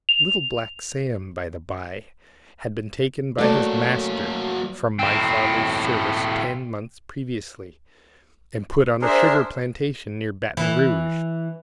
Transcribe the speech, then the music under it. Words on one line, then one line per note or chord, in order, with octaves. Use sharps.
Little Black Sam, by the by, had been taken by his master from my father's service ten months previously, and put on a sugar-plantation near Baton Rouge.
F7
F#3 A3 A#3 D5
A2 C4
D4 G#4 A#4 C5 E5
E3